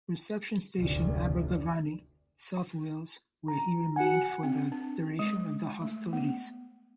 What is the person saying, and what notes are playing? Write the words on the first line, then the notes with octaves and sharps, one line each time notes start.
Reception Station, Abergavenny, South Wales where he remained for the duration of the hostilities.
F1 D2
A#5
F#4 F#5 G#5
C4
D4
G#3
A3
B3